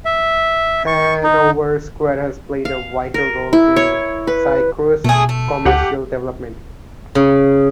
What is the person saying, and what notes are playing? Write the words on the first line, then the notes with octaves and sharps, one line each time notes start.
Hanover Square has played a vital role in Syracuse's commercial development.
E5
C#6
D#4
F5
A#4
E4
C#5
B4
B2 A3 G#4
A3
D2 G4 F#5
C#3